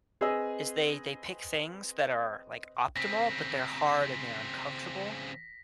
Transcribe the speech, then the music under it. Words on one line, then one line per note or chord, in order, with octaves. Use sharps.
is they they pick things that are, like, optimal, but they're hard and they're uncomfortable,
C4 G#4 B4 D#5 E6
C#3 C4 A#6 B6